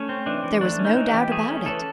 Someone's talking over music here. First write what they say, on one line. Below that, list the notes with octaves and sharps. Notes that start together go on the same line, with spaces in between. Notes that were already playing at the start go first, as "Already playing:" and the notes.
There was no doubt about it.
Already playing: A3 C#4
C4
E3 D4
E3
A3 D4
C#4
D#4
E3
G4
E3
A3 G#4
C#4
E3 A4